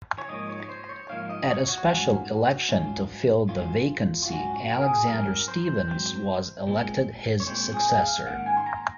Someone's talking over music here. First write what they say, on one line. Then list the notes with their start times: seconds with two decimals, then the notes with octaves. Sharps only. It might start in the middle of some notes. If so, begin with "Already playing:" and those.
At a special election to fill the vacancy, Alexander Stephens was elected his successor.
0.18 C#5
0.29 G#2 F3 A#3 D#4 D#5
0.49 C#5
0.69 C5
0.89 C#5
1.09 G#2 F3 A#3 D#4 F5
1.29 D#5
1.49 C#5
1.69 F#4
1.89 G#2 F#3 C#4 F4
2.69 G#2 F#3 C#4 F4
3.48 G#2 F#3 C#4 F4
4.23 F4
4.28 G#2 F#3 C#4 F#4
4.54 F#4
4.74 A#4
4.82 G#4
5.07 G#2 F#3 C4 A#4
5.48 C5
5.88 G#2 F#3 C4
6.67 A#2 G#3 C4
7.40 C#5
7.47 A#2 G#3 C4 C5
7.74 G#4
8.00 F5
8.27 G#2 D#3 A#3 C#4 F#5
8.46 G#5
8.57 C6
8.66 A#5